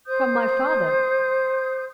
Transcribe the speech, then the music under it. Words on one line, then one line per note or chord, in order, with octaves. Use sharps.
"From my father?"
C5 D#6 G6